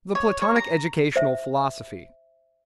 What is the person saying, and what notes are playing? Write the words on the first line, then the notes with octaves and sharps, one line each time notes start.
The Platonic Educational Philosophy.
C#5
C#5
A#5
C5 E5